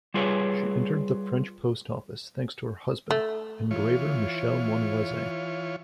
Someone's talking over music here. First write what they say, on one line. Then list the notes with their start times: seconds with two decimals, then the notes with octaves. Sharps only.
She entered the French post office thanks to her husband, engraver Michel Monvoisin.
0.14 G3 F4 G#4 B4 C#5
3.11 A3
3.71 E3 F4 C#5